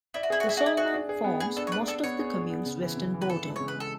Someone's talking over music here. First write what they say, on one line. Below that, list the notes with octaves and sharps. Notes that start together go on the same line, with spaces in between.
The Solnan forms most of the commune's western border.
E4 D5
F#4
E4 G#4
F#4
E4 G#4
F#4
E4 D5
F#4 G#4
D4
G#4
B3
B3 G#4
D4 A4
C#5
B4 D5
A4 D5
B3 C#5
G#4
G#4
B3
C#3
E3
C#3
E3
B4
E3 A4
G#3
C#3 C#5
B4
G#3 A4